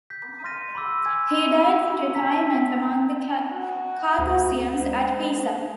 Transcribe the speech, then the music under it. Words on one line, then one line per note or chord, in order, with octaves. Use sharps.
He died in retirement among the Carthusians at Pisa.
G6 B6
C6 F6 A6 A#6 D#7
B5 C6 D6 E6
G#5 G#6
A5 A#5 B6
F#4
D2
G#3 C5